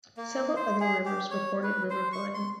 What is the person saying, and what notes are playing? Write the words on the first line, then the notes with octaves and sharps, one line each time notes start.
Several other rivers reported river flooding.
A#3
C5
G#4
G4
C#5
B4
C5
C#6
C6